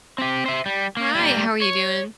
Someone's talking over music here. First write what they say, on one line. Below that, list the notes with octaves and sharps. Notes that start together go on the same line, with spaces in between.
Hi, how are you doing?
C4 G4
C5 E5
G3
A#3
G3 A#3
C#5